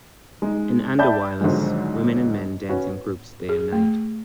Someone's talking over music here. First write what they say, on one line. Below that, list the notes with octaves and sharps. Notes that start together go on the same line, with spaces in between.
In Andahuaylas, women and men dance in groups day and night.
G#3 D#4
D5 E5 G5 A5 B5 G6
B1 G#2 D3 D#3 F3 G#3
C#4 F#4 B4
G#4
A3